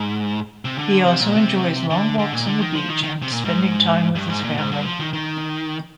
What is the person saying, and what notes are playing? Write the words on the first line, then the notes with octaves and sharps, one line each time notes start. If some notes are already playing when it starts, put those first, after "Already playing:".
He also enjoys long walks on the beach and spending time with his family.
Already playing: G#2
C3
D3
C3
A#2
C3
D3
D3
A#2
D3
D#3
F3
D#3
D#3
C3
A#2
G#2
G2
G#2
A#2
G#2
G2
F3
D#3
D#3